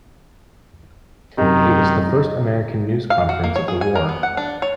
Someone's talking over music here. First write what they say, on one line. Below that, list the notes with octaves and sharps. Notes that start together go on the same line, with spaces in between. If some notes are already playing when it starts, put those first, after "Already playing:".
It was the first American news conference of the war.
F#2 C3 D#3 D#4
F5
F#4
A#3
C#5
G#4
G#5
A#4
B3
F#5
D4
C#5